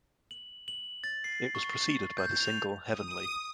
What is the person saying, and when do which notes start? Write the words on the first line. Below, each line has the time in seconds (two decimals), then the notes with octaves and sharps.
It was preceded by the single "Heavenly".
0.31 F#7
0.68 F#7
1.04 A6
1.24 C7
1.55 C#6
2.18 G6
2.40 F7
2.89 D#6